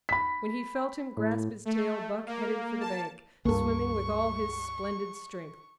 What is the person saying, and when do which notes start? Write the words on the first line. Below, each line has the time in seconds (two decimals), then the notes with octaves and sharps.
When he felt him grasp his tail, Buck headed for the bank, swimming with all his splendid strength.
0.09 B5 B6
1.17 A2
1.65 A3
2.27 A#3
2.80 A5
3.45 C#2 G2 A#3 A4 C#6